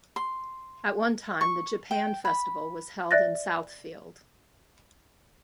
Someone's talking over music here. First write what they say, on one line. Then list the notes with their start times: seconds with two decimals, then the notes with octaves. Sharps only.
At one time the Japan Festival was held in Southfield.
0.16 C6
1.41 C#6
1.91 G5
2.25 B5
3.11 D5 E5 F#6 A6 A#6